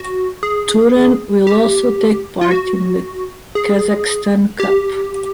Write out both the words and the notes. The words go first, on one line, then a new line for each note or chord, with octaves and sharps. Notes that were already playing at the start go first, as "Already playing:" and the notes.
Turan will also take part in the Kazakhstan Cup.
Already playing: F#4
G#4
G4
F4
F#4
G#4
G4